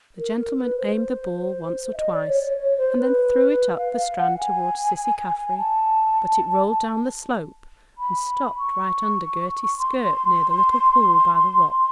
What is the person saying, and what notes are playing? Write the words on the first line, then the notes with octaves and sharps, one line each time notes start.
The gentleman aimed the ball once or twice and then threw it up the strand towards Cissy Caffrey but it rolled down the slope and stopped right under Gerty's skirt near the little pool by the rock.
A#4
A#4
B4
C5
E5
D#5
D5
C#5
C#5
C#5
C5
B4
F5
F5
F#5
G#5
A5
B5
C#6
C6